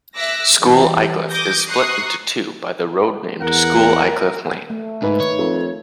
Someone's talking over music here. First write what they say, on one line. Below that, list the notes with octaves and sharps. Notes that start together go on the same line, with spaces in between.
School Aycliffe is split into two by the road named School Aycliffe Lane.
E5 D6 E6 F#6 A#6
E3 G3
D6 D#6 G6 A#6
A#5 C#6 D#6 F#6 C7
E2 A#4 F#5
A3
G#2 D#4 B4
D#3 C#5
F2